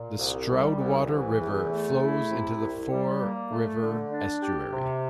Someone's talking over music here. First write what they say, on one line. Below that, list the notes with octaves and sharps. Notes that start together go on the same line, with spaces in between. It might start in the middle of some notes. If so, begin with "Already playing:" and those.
The Stroudwater River flows into the Fore River estuary.
Already playing: A#2
C2
G3
C2
E3
E2
A3
E4
C3
C2
G3
A#3
A3
D3
D4
G4
C3